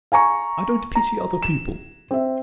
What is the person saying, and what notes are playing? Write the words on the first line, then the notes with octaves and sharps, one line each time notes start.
I don't pity other people.
F5 G#5 A#5 C#6
A#5
E7
C4 E5